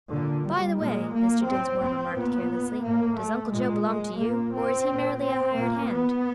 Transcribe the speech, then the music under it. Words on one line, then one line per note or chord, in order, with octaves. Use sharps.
"By the way," Mr. Dinsmore remarked carelessly, "does Uncle Joe belong to you? or is he merely a hired hand?"
A#2 D3
G3
A#2 G#3
A#3
A2 C4
C4
A#2 B3
A2 A#3
A3
A#2 G#3
G#3
A#2 A#3
C4
A#2
C4
A#2 A#3
B3